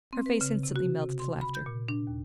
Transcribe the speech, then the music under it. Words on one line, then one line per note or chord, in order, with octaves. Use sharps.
Her face instantly melted to laughter.
C4
B4
C#3
C3
F#4
C3
C6
B5
G6
A#2
D4
D#2